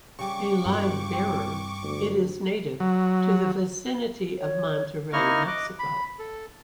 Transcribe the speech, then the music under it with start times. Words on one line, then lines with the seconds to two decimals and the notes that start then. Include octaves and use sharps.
A live-bearer, it is native to the vicinity of Monterrey, Mexico.
0.19 C#3 G3 C#6 D6
0.66 E1 G2 F4 G4
1.12 C2 C4
1.83 D2
2.80 F#3
4.39 C#5
5.13 A#3 D#4 E4 D#5 C#6 F6
5.47 D#5 D6 F#6
5.79 B5
6.19 A4